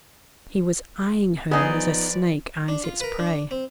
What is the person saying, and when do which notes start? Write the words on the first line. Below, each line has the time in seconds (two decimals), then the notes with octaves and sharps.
He was eying her as a snake eyes its prey.
1.51 F3 B3 D#4 G#4 B4 D5
2.68 D4
2.84 F4
3.00 A#4 B4
3.19 D4
3.51 C4